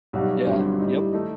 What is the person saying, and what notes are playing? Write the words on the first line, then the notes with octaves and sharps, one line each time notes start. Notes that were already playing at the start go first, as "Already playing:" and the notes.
Yeah. Yep.
B1 B2 G3 D#4 F#4
G1 G2 F#3 C4
A2 G3 D#4
D#3 A3 D#4